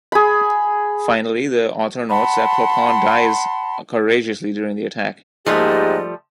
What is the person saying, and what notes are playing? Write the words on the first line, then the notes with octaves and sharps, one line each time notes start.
Finally, the author notes that Clopin dies courageously during the attack.
G#4 B5
F#5 A5 B5 C6
G#2 F3 G3 A3 A#3 G4 D#5